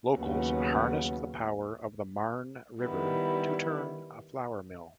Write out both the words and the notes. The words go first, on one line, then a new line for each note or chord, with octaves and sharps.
Locals harnessed the power of the Marne river to turn a flour mill.
D#2 C#3 F#3 B3
D#3 G3 B3 E4